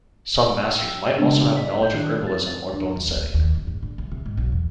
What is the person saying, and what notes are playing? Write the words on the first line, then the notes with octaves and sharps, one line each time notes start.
Some masters might also have knowledge of herbalism or bone-setting.
G5 E6
C#3 G#3 B3 D4
D5 D#5 B6
G1 G6
D#3 D4 F#6
C4 A6
D4
D#2
D2
D#2
F#1
G#2
D3
C2
C3
G#2
B1
E2